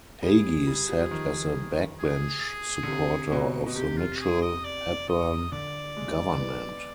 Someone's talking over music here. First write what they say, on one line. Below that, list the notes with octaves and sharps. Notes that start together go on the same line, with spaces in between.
Hagey sat as a backbench supporter of the Mitchell Hepburn government.
G3 G#4
G3
G3
F3
D#3
G#4
D3
C3
B2
B2
C3 G4
F4
G#4
D#5
D5
D#5
D3 D5
G#3
B3